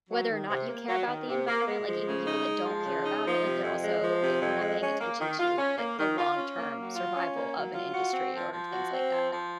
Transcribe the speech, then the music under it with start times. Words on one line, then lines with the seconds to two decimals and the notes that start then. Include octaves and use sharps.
whether or not you care about the environment. Like, even people that don't care about it, like, they're also eh, we're not paying attention to, like, the long-term survival of an industry or things like that.
0.10 F#3
0.30 D#3
0.49 C3
0.68 A#3
0.88 F#3
1.08 D#3
1.28 C3
1.48 A#3
1.67 G#3
1.87 F3
2.07 C#3
2.25 D#4
2.45 G#3
2.65 F3
2.84 C#3
3.04 D#4
3.24 F3
3.43 C3
3.62 F2
3.82 G#3
4.02 F3
4.21 C3
4.41 F2
4.61 G#3
4.80 C#4
4.99 A#3
5.19 D#3
5.38 F4
5.58 C#4
5.78 A#3
5.98 D#3
6.18 F4
6.37 C#4
6.57 A#3
6.75 F#3
6.95 F4
7.15 C#4
7.35 A#3
7.54 F#3
7.73 F4
7.93 F#4
8.13 C4
8.33 F3
8.53 F3
8.72 F#4
8.92 C4
9.11 F3
9.30 F3